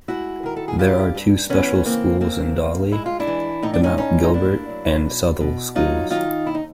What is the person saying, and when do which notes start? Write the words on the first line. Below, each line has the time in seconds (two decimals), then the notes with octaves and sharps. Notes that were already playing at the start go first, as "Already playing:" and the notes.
There are two special schools in Dawley: the Mount Gilbert and Southall schools.
0.08 G#3 E4 F#4
0.43 D#3 A#4
0.56 A4
0.68 G#4
0.79 G2 F4 G4
1.15 G2
1.50 E3 B3 C#4
1.75 B3
1.85 C#3 A#3 C4
2.21 D2 A#3 C4
2.56 D2
2.92 G#3 E4
3.06 F4
3.20 D4 E4
3.27 E3
3.62 A2 D#4
3.74 D4
3.83 C#4 D#4
3.98 A2 C#4 D#4
4.23 D#4
4.34 A#3 D4 E4
4.69 F#3
5.05 B2
5.41 B2
5.75 F#3 D#4 F4
6.11 D#3 D#4 F4
6.46 D#2 E4
6.55 D#4